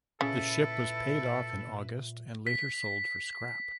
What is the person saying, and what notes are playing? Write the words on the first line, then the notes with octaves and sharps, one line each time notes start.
The ship was paid off in August and later sold for scrap.
A#2 C#3 E4 A4 B4
B6